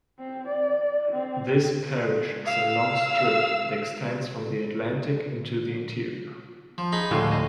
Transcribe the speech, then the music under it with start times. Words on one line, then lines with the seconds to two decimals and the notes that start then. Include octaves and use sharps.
This parish is a long strip that extends from the Atlantic into the interior.
0.19 C4
0.48 D5
1.12 C4
2.45 F5 E6
6.78 F3
6.92 D#4 G#4 B5
7.11 D2 A2 C#3 F3 G#3
7.31 D#5